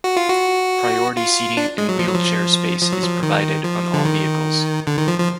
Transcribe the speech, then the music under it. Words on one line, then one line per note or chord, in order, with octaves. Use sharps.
Priority seating and wheelchair space is provided on all vehicles.
F#4
F4
F#4
F4
D4
G#3
F#3
F3
F#3
F3
F3
F#3
F3
D#3
F3
D3
D#3
D3
D#3
F3
F3